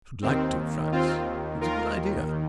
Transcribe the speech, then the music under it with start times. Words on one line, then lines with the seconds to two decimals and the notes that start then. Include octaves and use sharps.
I should like to, Frantz; it's a good idea.
0.22 D#2 D#3 C4
0.92 C4 F4
1.61 F4 A#4